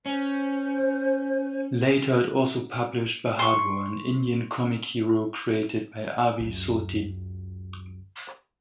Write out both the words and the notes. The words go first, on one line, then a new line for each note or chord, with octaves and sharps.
Later it also published Bahadur, an Indian comic hero created by Aabid Surti.
C#4 C5
C6 C#6
C#2 F#2